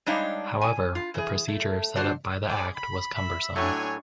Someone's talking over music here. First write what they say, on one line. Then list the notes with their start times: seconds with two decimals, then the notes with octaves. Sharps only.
However, the procedure set up by the Act was cumbersome.
0.06 G3 G#3 D4 D#4 C#5 F5
0.61 G#5
0.95 F4
1.14 E3 G#4
1.48 A3
1.95 D3 D4 F4 F#4 C5
2.46 G#4 C5 D5
2.75 B5
3.15 E5 B5
3.56 A2 F#3 A3 D4 C#5 G#5 C#6